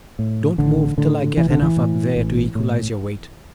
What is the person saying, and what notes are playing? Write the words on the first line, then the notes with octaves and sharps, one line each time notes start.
Don't move till I get enough up there to equalize your weight.
A2
A1 D3
A2 D3
A1 E3
D3
E3
A2
A1
A2